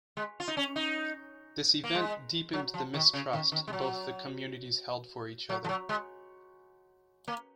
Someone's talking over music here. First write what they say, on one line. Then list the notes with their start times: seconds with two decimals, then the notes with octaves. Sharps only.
This event deepened the mistrust both the communities held for each other.
0.17 G#3
0.40 F4
0.48 D#4
0.57 C#4
0.76 D#4
1.84 A#3
1.95 G#3
2.53 F#3
2.74 F3
2.94 D#3
3.13 C#3
3.33 D#3
3.52 D#3
3.68 G#3
3.73 F#3
5.49 F#3
5.64 F3
5.69 F#3
5.89 G#3
7.28 A#3